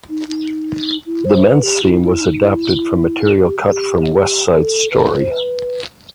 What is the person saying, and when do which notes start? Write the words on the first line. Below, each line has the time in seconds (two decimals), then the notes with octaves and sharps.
The men's theme was adapted from material cut from "West Side Story".
0.09 D#4
0.28 D#4
1.06 E4
1.25 C5
1.44 B4
1.63 G4
1.83 E4
2.03 E4
2.21 D#4
2.41 E4
3.38 F#4
3.47 G4
3.66 G4
4.53 A4
4.91 B4
5.11 B4
5.20 C5
5.31 B4